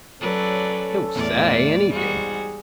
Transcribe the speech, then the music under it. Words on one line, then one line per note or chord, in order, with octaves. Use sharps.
He'll SAY anything.'
F#3 C#4 A4 B4 D5
E2 A2 D5
G#2 G3 F#4 G#4